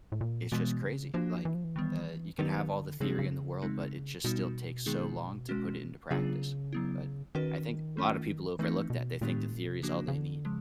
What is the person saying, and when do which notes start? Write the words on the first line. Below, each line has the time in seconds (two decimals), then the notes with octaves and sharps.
it's just crazy. Like, that you can have all the theory in the world, but it just still takes so long to put it into practice, but I think a lotta people overlook that, they think the theory is all they need.
0.12 A2
0.21 A#2
0.52 B2 E3 G#3 B3
0.83 C#3
1.14 F3 A#3 D4 F#4
1.45 E3
1.54 F3
1.64 E3
1.76 D#3 G3 B3
2.39 D#3 F#3 B3 D#4 G4 B4
2.69 D3
3.00 C#3 F3 G#3 C4 D#4 G#4
3.09 C3
3.19 C#3
3.62 G#3 C4 D#4
4.24 B2 G3 B3 D#4 F#4
4.86 D#3 G#3 B3 D#4 G#4
5.49 G#3 C#4 F#4
6.10 C#3 F#3 B3 D4 F4 G#4
6.73 F#3 B3 E4
7.35 D#3 C#4 F#4 B4
7.97 A3 C#4 F4
8.59 E3 A3 C4 D#4
8.90 B2
9.21 A#2 D#3 G#3 B3 D4 G4
9.36 A2
9.52 A#2
9.68 C3
9.83 C#3 F3 A#3 D4 F#4
10.08 C#3
10.15 D3
10.45 C#3 F3 G#3